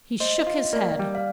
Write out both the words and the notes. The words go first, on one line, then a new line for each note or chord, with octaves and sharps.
He shook his head.
C5 D#5
F4
A#3 D5
G3
F5